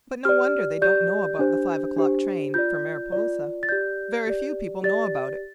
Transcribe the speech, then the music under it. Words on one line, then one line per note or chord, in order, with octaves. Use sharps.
But no wonder they don't know about the five o'clock train for Mariposa. Very few people know about it.
G4 D5 F6
G4 D5 G6
D4 G4 C5
D4 G4 C5
F4 D5 G6
F4 D5
A6
G4 D5 G6
G4 D5
G4 D5 A6